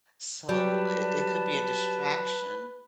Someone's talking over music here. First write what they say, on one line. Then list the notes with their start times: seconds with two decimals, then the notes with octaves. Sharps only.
So, it it could be a distraction,
0.49 F#3 G3 B4 A5